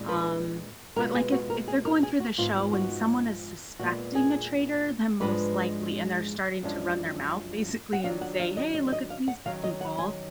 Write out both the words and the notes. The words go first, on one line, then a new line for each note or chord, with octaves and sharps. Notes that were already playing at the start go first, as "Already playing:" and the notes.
um, but like if if they're going through the show and someone is suspecting a traitor, then most likely and they're starting to run their mouth basically and say, "Hey, look at these people,"
Already playing: A#2 G#3 D4
B4
B2 G#3 B3 F4 A#4
G#4
F#4
A#4
G#4
A#4
G#4
F#4
G#2 F3 B3 D#4 F4
F#4
A#2 G#3 B3 F#4
G#4
G#2 F3 G#3 D4 B4
F#2 F3 G#3 D4 F4
F#5
D#3 F#3 D4 F4 F5
F#5
F5
D#5
D#5
D5
D#5
F5
F#5
F#2 D#3 F#3 F5
D#5
F#5
G#5